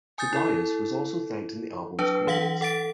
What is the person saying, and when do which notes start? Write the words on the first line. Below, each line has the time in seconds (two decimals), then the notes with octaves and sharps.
Tobias was also thanked in the album's credits.
0.18 G#5 D#6 G6 A6
0.33 E4 A4
1.99 F#3 D4 B4
2.27 E3 F5 F#5 B6 F#7
2.61 A4 F#5 A6 D7